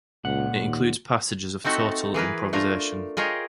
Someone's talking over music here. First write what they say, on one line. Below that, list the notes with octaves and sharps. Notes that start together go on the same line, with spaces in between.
It includes passages of total improvisation.
C#2 A#2 F#5
D#2
A3 C4 D#4 F#4 A4 E5
E3 G#4 A#4 B4
A3 D4 F4 A#4
F4 G#4 A#4 C#5 D#5 G5